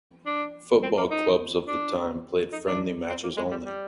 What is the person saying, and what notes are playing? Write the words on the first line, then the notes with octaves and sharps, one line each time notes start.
Football clubs of the time played friendly matches only.
D4
C4
A#3
D#4
D4
D#4
D4
C4
A#3
G#3
G3
G3